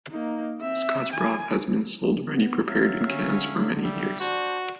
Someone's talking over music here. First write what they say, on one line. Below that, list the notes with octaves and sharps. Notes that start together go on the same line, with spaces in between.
Scotch broth has been sold ready-prepared in cans for many years.
A#3 D#4
C4 E5
G#5
B3
F#3 C4 E5 F5
D3 C#4
G3 E5
D4 F#4 C5 D5